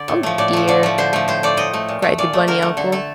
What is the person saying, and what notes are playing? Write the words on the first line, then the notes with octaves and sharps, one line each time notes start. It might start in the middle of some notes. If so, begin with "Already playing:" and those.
"Oh, dear!" cried the bunny uncle.
Already playing: D3 D5
A2
F3 A3
A2 D5
F3 A3
D3 D5
F3 A3
D3 C5
F3 A3
A2 C5
A3 D5
A2 D#5
A3
A#2
A3
A#2 D5
A3
D3 A#4
A3
D3 A4
A3 A4